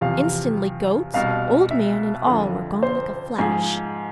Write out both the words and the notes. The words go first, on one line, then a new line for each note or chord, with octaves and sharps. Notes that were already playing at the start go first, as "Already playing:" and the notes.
Instantly goats, old man, and all were gone like a flash.
E2 C3 F3 F5
C2 B2 F5
E5
F2 D3 F3
C5
G#2 F3 G#4